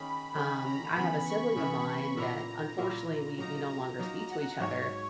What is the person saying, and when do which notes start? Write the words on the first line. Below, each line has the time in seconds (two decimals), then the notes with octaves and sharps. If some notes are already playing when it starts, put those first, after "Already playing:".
Um, I have a sibling of mine that, unfortunately, we we no longer speak to each other,
Already playing: D#3 A#3 C#4 G#4 B5
0.35 D#3 A#3 C#4 G#4 B5
0.65 A#5
0.96 C#3 E3 B3 B5
1.26 C#6
1.56 C#3 E3 B3 B5
2.17 A#2 A#3 E4 A#5
2.78 A#2 A#3 E4
3.38 F#3 A#3 D#4 A#5
3.99 F#3 A#3 D#4 A#5
4.30 F#5
4.60 G#2 F#3 A#3 C#5